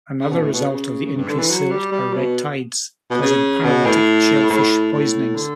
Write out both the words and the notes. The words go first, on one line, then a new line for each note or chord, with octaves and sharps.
Another result of the increased silt are red tides, causing paralytic shellfish poisonings.
C#3
B2
A2
B2
C#3
C#3
G2
D3
E3
F#3
G3
G3
B2
B2
C#3
B2
A2
A2
A2
D3